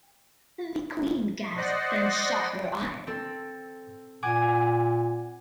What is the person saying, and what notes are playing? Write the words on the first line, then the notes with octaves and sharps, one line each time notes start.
The Queen gasped and shut her eyes.
C5 D5 D#5 F#5
C4 A4
A#2 F#5 G#5 D6